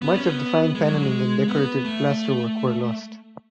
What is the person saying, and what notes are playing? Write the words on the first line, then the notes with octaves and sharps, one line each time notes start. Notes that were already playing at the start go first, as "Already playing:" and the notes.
Much of the fine paneling and decorative plasterwork were lost.
B3
C#4
B3
G#3
F#3
G#3
B3
A3